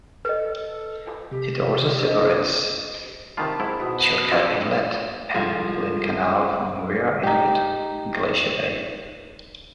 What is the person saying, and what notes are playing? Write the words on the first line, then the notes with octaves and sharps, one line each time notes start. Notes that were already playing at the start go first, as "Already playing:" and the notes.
It also separates Chilkat Inlet and Lynn Canal from Muir Inlet in Glacier Bay.
A4 B4 D#5
C3 G4
D4 D#5
C3 D#3 F4 A5 B5 D6
G#2 E4
B2 B3
G2 F3 A4 D5 E5 F#5
C2 F3 G#3 F4 A4
D#4 G4